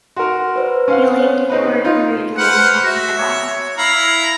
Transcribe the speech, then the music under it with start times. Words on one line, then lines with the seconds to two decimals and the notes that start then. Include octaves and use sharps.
He leaned forward hurriedly and tapped at the glass.
0.16 F#4 A#4 C6
0.56 B4 C5 D5
0.88 C#4 F5 F#5
1.19 C5 C#5
1.49 C4 D#4 B4
1.85 D#4 F4
2.37 B4 C5 F#5 F6
2.83 F#4 E5
3.19 C#5
3.77 E4 F5 A#5 B5